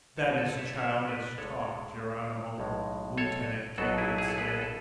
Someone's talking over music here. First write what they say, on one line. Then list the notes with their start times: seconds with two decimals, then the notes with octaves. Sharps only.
"That is childish talk, Geronimo," Lieutenant Gatewood said.
0.17 B1 A2 G#3 B3 A4 C#5
0.38 A4 C#5
0.58 C#5 E5
0.77 C#5 E5
1.07 B4 D5
1.37 D2 D3 G#3 A4 C#5
2.58 B1 A2 G#3
3.17 A4 C#5
3.78 B1 B2 F#3 B3 F#4 A4
3.98 E4 G#4
4.18 E4 G#4
4.28 A4
4.38 G#4 B4
4.62 A4